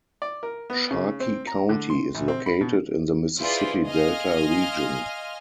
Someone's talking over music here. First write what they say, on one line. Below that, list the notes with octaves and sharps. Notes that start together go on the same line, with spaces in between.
Sharkey County is located in the Mississippi Delta region.
D5
A#4
B3
C#3
C4
A#5
D3
C6
A#1
C4
B5
B2
E4 F4 G#4 B4 C5 D5
D#5 F5 G#5 C6 F6